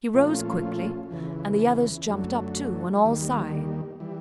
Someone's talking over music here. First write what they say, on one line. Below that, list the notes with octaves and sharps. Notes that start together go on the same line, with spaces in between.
He rose quickly, and the others jumped up, too, on all sides.
A#2 F3 A3 C#4 F4
E2 C#3 E3
F#2 D3 F#3 A3
D#2 D#3 G3 A#3
E3 G3